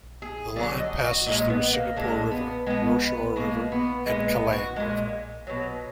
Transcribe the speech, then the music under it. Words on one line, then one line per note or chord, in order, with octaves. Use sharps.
The line passes through Singapore river, Rochor river and Kallang River.
G#4
D3 F#3 D5
D#5
F#4
A#2 F3 G#3 D#4
B3
A#3
A#2 F3 G#3 D4
B3
B2 G#3 B3
B3
B2 G#3 A#3
B3
A#2 G#3 B3
B3
F#4
A#2 G#3
B2 F#3